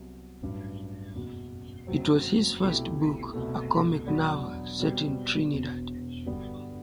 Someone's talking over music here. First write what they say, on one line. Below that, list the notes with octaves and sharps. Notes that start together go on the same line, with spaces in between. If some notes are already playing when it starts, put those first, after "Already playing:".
It was his first book, a comic novel set in Trinidad.
Already playing: C2 C3 F#3 B3
A1 G2 F#3
F#1 E2 B2
F#1 F#2 F#3 C4
C2 B2 A3 E4 G4
C2 B2 A3
E2 B2 F#3 B3 D4
B2 G3 C4
E1 E2 B2
G2 D3 G3 B3 F#4